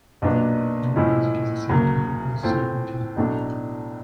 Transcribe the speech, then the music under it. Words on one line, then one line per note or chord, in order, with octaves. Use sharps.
No music is assigned to him with certainty.
B1 A#2 F#3 B3 D4
A2 F3 G#3 C#4 E4
D2 C#3 F#3 A#3
A2 E3 A3 C4 F4
B1 A2 F#3 A3 D4